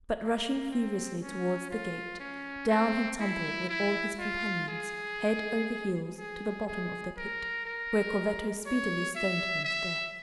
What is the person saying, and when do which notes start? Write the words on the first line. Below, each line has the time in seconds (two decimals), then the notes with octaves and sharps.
But rushing furiously towards the gate, down he tumbled with all his companions, head over heels to the bottom of the pit, where Corvetto speedily stoned them to death.
0.22 A#3
0.71 C4
1.21 C#4
1.70 F4
2.20 C#4
2.69 C4
3.20 E4
3.69 E4
4.19 F4
4.68 G#4
6.18 G#4
6.67 G#4
7.17 A#4
7.66 A#4
8.66 C#5
9.16 E5
9.65 E5